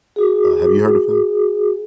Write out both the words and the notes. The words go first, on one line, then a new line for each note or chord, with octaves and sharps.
Uh, have you heard of him?
F#4 G#4